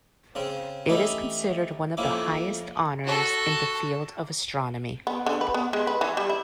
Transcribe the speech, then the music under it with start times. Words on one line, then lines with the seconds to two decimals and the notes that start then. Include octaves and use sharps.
It is considered one of the highest honors in the field of astronomy.
0.35 C#3 C4 C#4
0.89 E3 A3 C#4 D#4 E4 G4
1.97 F2 F3 A#3 C#4 E4 D6
3.05 F#4 A4
5.07 B3
5.26 D3
5.41 B4
5.54 B3
5.73 G#3
5.87 B4
6.01 E3
6.17 G3
6.30 E4